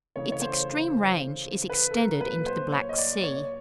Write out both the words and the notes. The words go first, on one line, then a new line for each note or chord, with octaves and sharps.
Its extreme range is extended into the Black Sea.
C#3 E3 A3 C#5
C#5
C5
B4
A4
A#4
A#2 F#3 A#3 B4
C5
C#5
D#5
D5
C#5